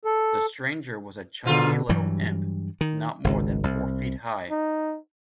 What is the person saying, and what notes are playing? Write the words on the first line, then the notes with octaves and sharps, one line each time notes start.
The stranger was a chunky little imp, not more than four feet high.
A4
G#2 B2 D3 F4
G2 E3 F#3 G3
D#3
G#1 C#2
C2
D#4